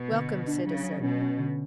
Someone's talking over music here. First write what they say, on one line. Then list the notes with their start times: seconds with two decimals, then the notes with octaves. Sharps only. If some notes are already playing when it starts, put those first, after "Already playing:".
"Welcome, citizen."
Already playing: B2
0.11 D3
0.29 D3
0.47 D4
0.66 C#3 F#3
0.83 F#3
1.02 B2 C#4
1.21 C#4
1.39 D3